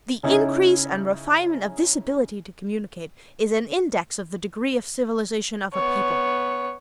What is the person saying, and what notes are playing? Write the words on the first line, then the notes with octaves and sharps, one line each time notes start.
The increase and refinement of this ability to communicate is an index of the degree of civilization of a people.
C#3 C#4 D#4 E4
B3 C#5